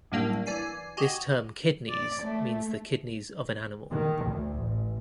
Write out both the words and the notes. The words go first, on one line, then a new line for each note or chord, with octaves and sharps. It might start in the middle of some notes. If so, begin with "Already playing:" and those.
This term "kidneys" means the kidneys of an animal.
F#2 A2 G3 A#3 D4
E3 D5 G#5 C7
F#4 G4 D#5 G#5
D5
A3
D#3
D2
A1